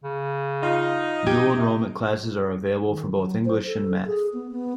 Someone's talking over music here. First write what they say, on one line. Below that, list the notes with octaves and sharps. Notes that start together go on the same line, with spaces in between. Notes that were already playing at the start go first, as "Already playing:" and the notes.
Dual Enrollment classes are available for both English and Math.
C#3
D#4 F4
G4 G#6
C3
D#3
F#3
C5
A4
G#4
B3
B3